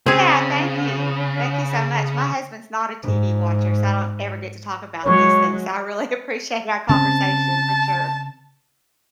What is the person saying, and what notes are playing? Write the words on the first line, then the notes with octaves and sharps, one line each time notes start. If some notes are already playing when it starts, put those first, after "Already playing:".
Yeah, thank you. Thank you so much my husband's not a TV watcher, so I don't ever get to talk about these things, so I really appreciate our conversation for sure.
C#3 C4 G#4
G#2
F#3 G#3 C#5
C#3 C4 C#4 A5